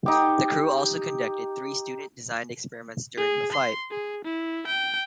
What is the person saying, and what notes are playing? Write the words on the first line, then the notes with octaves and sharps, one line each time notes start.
The crew also conducted three student-designed experiments during the flight.
D#4 G4
G#4
C6
G#4
E4
G5